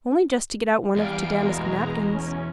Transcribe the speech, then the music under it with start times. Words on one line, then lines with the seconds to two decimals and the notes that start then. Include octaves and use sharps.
'Only just to get out one of t' damask napkins.'
0.96 E2 G3 F5 D7
1.39 B2 G#3 A#5
2.09 C#4